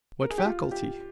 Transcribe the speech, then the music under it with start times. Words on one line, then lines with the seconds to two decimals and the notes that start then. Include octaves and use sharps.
What faculty?
0.22 A#4
0.30 G#4
0.38 G4
0.46 F4
0.71 G4